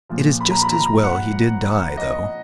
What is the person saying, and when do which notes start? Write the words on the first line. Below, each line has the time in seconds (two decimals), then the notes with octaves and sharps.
"It is just as well he did die, though."
0.09 A#2 F3
0.40 B5
0.50 A#5
0.62 B5
0.72 A#5
1.03 F#5
1.97 D#5